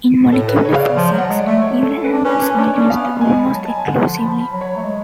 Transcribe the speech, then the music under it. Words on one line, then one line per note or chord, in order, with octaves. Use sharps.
In molecular physics Euler angles are used almost exclusively.
B2
A2 A4
B4
C#3 C#5
F5
D5
F3 D5
F#3
F#5
G#3
D5
A3
C#5
A4
B4
D4
C#4 B4
C#4 B4
D4 C#5
C#4 D5
B3 F5
G#3 G#5
B5
F#3 A5
A5
G#5
D3 F#5
F3 A5
F3 B5
B5
F#3
C#5
A3
G#3